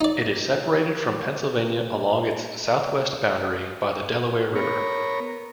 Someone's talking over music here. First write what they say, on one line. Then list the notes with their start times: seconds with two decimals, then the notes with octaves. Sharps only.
It is separated from Pennsylvania along its southwest boundary by the Delaware River.
0.01 D#4 D5
4.55 B3 A#4 C#5